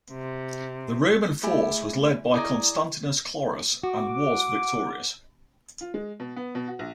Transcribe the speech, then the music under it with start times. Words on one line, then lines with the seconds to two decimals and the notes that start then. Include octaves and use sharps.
The Roman force was led by Constantius Chlorus, and was victorious.
0.11 C3
1.43 A3 E4 G#4 G#5
2.34 E4 G#4 D5 D#5 A#5
3.83 F#4 F#5 D6
5.81 F4
5.94 G#3
6.20 B2
6.36 B3
6.55 B2
6.68 F#4
6.79 A#1